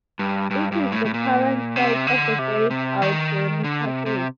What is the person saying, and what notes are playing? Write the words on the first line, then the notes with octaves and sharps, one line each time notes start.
It is the current site of the Great Allegheny Passage.
G2
G2
G2
A2
A2
A#2
C3
D3
C3
C3
D#3
D3
C3
C3